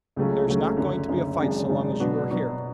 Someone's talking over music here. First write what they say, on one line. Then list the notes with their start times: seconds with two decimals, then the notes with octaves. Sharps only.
"There's not going to be a fight so long as you are here."
0.16 C#2 C#3 F#3 A3 C#4
0.47 C#2 C#3 F#3 A3 C#4
0.77 F#1 F#2 D3
1.08 F#1 F#2 D3
1.38 G#1 F#2 C#3 G#3 D4
1.69 G#1 F#2 C#3 G#3 D4
2.00 B2 F#3 B3 D4 F#4
2.30 B2 F#3 B3 D4 F#4